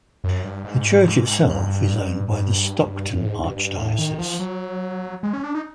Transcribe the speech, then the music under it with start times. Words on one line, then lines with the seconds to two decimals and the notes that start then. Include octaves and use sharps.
The church itself is owned by the Stockton archdiocese.
0.24 F#2
0.44 G2
0.64 G#2
1.48 G2
2.32 G2
3.15 F#2
3.21 A2
3.26 G#2
3.46 G2
3.57 G2
3.77 A2
3.99 D#3
4.19 F3
4.40 F#3
5.23 G#3
5.33 C#4
5.44 D4
5.55 D#4